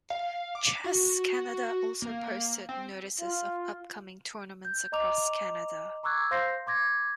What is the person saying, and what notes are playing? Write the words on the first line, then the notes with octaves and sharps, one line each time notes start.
"Chess Canada" also posted notices of upcoming tournaments across Canada.
F5
D6
F#4
A#3
C4
F4
G6
D#5 A#5 D6 F7
A#5 C#6 D6 E6 F#6 G#6
C5 F5 C6 G6 A#6 C7
C6 D6 G#6 A#6